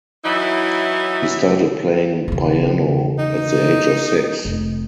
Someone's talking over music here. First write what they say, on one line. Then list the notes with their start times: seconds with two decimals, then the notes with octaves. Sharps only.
He started playing piano at the age of six.
0.24 E3 F#3 D#4 E4
2.28 E2 C#3
3.19 D#4
4.45 F1